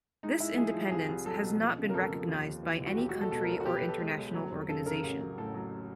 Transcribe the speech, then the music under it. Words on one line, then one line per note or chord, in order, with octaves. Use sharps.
This independence has not been recognized by any country or international organization.
G#3 D#4
G#3 E4
F3 G#4
F3
C2 G#4
C2
F#3 A4
B2
F3
C#3
A#4
F2 A4
F3
D#2
D#2
E3
D#2
F#4
B1 G4
F#4
G#3
A4
B2 A4
A#4
B1
A4
F#4
B1 G4
B4
B1
A4
G#3
B1
F#3
F1
C#3 A4
C#3 A#4
A1
F#3
A2 A4
F#3